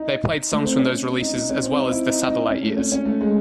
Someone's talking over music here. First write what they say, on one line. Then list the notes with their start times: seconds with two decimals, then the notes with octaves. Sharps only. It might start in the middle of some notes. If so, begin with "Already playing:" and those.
They played songs from those releases as well as "The Satellite Years".
Already playing: D#4
0.51 A3
0.64 C4
0.78 C#4
1.21 D#4
1.34 D#4
1.49 C#4
1.63 C4
1.77 D#4
1.91 E4
2.06 D#4
2.27 D#4
2.49 C#4
2.62 A3
2.77 C#4
2.92 C#4
3.05 A3
3.21 G#3